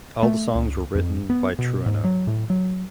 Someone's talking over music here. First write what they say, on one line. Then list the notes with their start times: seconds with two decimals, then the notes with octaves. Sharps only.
All the songs were written by Trueno.
0.23 A3
0.55 C#2
0.95 F2
1.30 B3
1.59 B2
1.86 G#2
2.04 F#3
2.27 A2
2.50 F#3